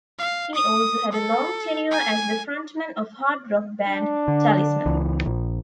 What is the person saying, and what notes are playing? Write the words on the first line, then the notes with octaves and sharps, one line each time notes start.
He also had a long tenure as the frontman of hard rock band Talisman.
F5
D#6
A4
G#5
D4
D3
C#2 E3
A#1